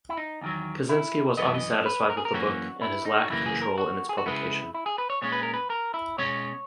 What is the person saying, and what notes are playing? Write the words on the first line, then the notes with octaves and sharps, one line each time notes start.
Kaczynski was unsatisfied with the book and his lack of control in its publication.
E4
D#4
E2 D#3 F#3
E4
F#2 E3 B3 D#5
E5
D#5
B4
A#4
G#4
A#4
F#2 E3 A#3 C#4 F#4
E4
D#4
F#4
F#2 C#3 E3 A#3 E4
G#4
A#4
F#4
G#4
F#4
C#3 G#3 B3 E4
E4
G#4
B4
C#5
A#2 G#3 C#4 C#5
B4
A#4
B4
A#4
E4
B2 G#3 C#4 C#5